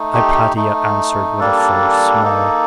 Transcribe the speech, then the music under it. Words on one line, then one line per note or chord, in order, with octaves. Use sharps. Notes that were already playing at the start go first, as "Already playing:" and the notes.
Hypatia answered with a forced smile.
Already playing: A3 D#4
G4
G4
A3 D#4
G3 A#3 D4 A4
A#3 D#4